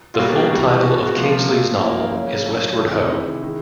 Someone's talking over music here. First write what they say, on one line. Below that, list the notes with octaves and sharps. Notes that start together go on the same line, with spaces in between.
The full title of Kingsley's novel is Westward Ho!
F4
B2 G3 A#3 F#4
G#4
G4
C3 E3 G3 F#4
B2 G#3 F#4
F#4
C3 F3 A#3 F4
A#2 F3 A3
A#2 F3 A#3 E4
C#3 F#3 A#3 C#4
A#2 F#3 A3
C3 E3 A3
D#4
C3 D#3 G#3 E4
D#3 G#3